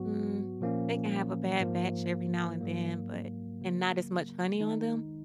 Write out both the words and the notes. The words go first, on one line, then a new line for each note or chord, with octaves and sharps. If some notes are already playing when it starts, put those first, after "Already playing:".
mm, they can have a bad batch every now and then but and not as much honey on them
Already playing: G#2 F#3 B3 F#4
A#2 F3 A#3 C#4
G#2 F3 A#3
G#2 F#3 A#3
C#3 F#3 A#3
D#3 G#3 D#4